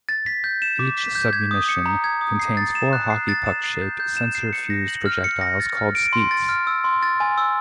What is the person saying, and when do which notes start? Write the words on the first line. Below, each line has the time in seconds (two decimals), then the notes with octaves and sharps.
Each submunition contains four hockey-puck-shaped sensor-fused projectiles called Skeets.
0.09 A6
0.26 B6
0.44 G6
0.62 E7
0.79 D6
0.98 B6
1.15 G6
1.33 G#6
1.51 D#6
1.69 C#7
1.86 A#5
2.04 G#6
2.21 D#6
2.39 C7
2.57 A6
2.75 E7
2.93 F#6
3.10 C7
3.29 A6
3.46 E7
3.64 C7
3.82 G6
4.00 G6
4.17 E7
4.35 C7
4.53 C#7
4.70 A#6
4.88 F#7
5.06 F6
5.24 C#7
5.41 A#6
5.60 A6
5.77 F6
5.95 D7
6.13 C6
6.31 A6
6.49 F6
6.67 E6
6.84 C6
7.03 A6
7.20 G#5
7.38 E6